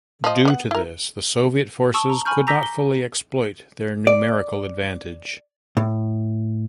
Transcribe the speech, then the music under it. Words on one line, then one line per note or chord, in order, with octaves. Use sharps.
Due to this, the Soviet forces could not fully exploit their numerical advantage.
F3 D#5
B3 D5 F#5
E4 A#4
A5 C#6 D#6 E6
A#5
G#5 B5 C#6 F6 G6
A#5 D6 E6 G6 A#6 B6
G7
D5
A2